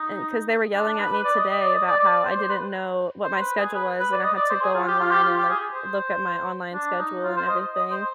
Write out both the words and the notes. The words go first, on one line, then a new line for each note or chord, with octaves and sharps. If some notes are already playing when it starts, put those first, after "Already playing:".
and 'cause they were yelling at me today about how I didn't know what my schedule was, and I had to go online and, like, look at my online schedule and everything
Already playing: D#4
D4
D4
B4
B4
D5
D#5
D#5
D5
D#5
D5
D5
D5
C5
C5
B4
C5
B4
G#4
B4
B4
D5
D#5
D5
C5
G#4
F4
G4
F4
G4
F4
G4
G#4
C5
D4
D#4
F4
C5
D#5
D#5
C5